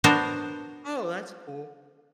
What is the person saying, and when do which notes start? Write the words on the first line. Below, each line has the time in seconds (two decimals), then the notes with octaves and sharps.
Oh, that's cool.
0.04 B3 D4 F#4 A#4 C5